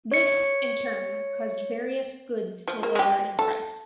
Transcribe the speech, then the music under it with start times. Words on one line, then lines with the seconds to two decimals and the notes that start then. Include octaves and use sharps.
This, in turn, caused various goods to lower in price.
0.12 C#5 C#7
2.68 F3
2.83 A#3
2.95 G#3 G4
3.39 A4